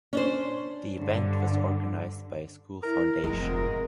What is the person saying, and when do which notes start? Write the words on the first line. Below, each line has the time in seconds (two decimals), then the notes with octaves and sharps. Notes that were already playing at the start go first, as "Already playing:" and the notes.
The event was organized by a school foundation.
0.13 C#4 D4 C5
0.97 G2 D3
2.83 E4 A#4
3.24 F1 G#2 G#3 A#4 D#5